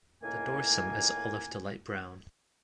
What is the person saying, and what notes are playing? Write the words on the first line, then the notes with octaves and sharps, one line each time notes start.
The dorsum is olive to light brown.
C#2 A2 D#3 A#3 G#5